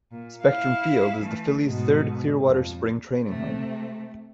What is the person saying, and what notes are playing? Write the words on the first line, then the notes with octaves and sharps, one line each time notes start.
Spectrum Field is the Phillies' third Clearwater spring-training home.
A#2
E4 F5
E3 A3
G#2 B2
F2
C3 A3